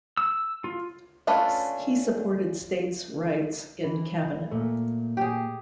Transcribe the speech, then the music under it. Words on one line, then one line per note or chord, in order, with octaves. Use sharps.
He supported states' rights in Cabinet.
E6
F4
A3 C#4 D4 F4 B4
E3
A#2 A3
G4 G#4